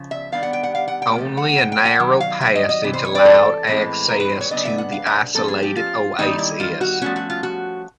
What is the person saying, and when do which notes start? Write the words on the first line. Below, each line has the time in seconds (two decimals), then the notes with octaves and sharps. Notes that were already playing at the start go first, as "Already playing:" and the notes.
Only a narrow passage allowed access to the isolated oasis.
Already playing: C#3 F3
0.11 E5
0.32 D#3 G3 B3 D4 F5
0.43 F#5
0.53 G5
0.63 F#5
0.75 F5
0.88 F#5
1.02 G5
1.16 C3 F3 A3
1.37 F#5
1.58 G5
1.72 G5
1.85 F#5
2.00 D#3 F#3
2.20 F5
2.41 E5
2.55 D#5
2.69 D#5
2.84 C3 E3
2.93 C5
3.05 C#5
3.15 D5
3.25 A4
3.67 A2 E3 G#3 C4
4.08 A#4
4.20 B4
4.30 C5
4.41 C#5
4.51 C#3 F#3 B3 D4 D#5
4.65 E5
4.78 F#5
4.92 F5
5.06 E5
5.34 F3 A#3 C#4 A4
5.48 G#4
5.63 G4
5.76 F4
6.18 D#3 G3 A#3 D#4
6.39 E4
6.60 F4
6.81 F#4
7.02 F3 A3 C#4 F#4
7.16 F#4
7.30 F4
7.43 F#4